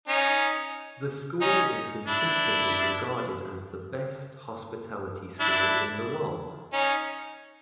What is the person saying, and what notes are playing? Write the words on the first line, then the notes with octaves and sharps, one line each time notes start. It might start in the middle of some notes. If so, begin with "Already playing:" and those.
The school is consistently regarded as the best hospitality school in the world.
C#4 D#4
C#4 D#4
D4 E4
D4 E4
C#4 D#4